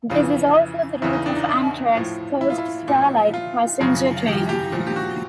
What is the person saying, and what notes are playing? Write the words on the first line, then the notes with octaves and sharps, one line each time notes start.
This is also the route of Amtrak's "Coast Starlight" passenger train.
F2 C#3 E3 F4
E2 C#3 E3 E4
D#4
D4
D#4
E4
A2 F3
E4
F4
E4
A#2 F3
F4
F#2 C#3 F3
G4
G4
A#2 F3
G4
F#4